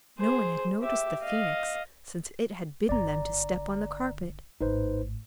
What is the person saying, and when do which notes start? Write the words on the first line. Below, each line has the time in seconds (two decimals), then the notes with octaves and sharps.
No one had noticed the Phoenix since it had bidden them to step on the carpet.
0.19 G#4 C5
0.83 G4 E5
1.23 D#5 F5
2.89 G1 D3 D5 A#5
4.61 G#1 A2 D#4 B4 C5